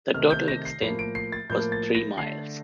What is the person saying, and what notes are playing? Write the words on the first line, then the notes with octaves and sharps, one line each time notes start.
The total extent was three miles.
C3 D#3 A3 F6
G6
A#6
C7
A2 F3 A#3 C7
D7
C7
A6
A2 F3 A#3 G6
A6
A#6
D3 A3 C7